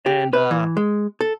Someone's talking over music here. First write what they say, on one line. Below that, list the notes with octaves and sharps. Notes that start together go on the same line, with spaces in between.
And, uh,
G4
B4
E3
G#3
A4